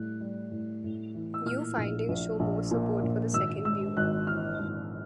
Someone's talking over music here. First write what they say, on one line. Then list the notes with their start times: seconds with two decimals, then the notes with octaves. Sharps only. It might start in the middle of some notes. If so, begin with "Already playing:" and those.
New findings show more support for the second view.
Already playing: A2 G3 F#6
0.21 G3
0.51 A2
0.84 A2
1.15 E3
1.34 E6
1.45 A#2 F6
1.77 A#1
2.08 A#1
2.39 A#1
2.71 A#2
3.03 A#1
3.33 G#1 E6
3.65 G#3 E6
3.97 G#1 F#6
4.27 E3 F6
4.60 G#1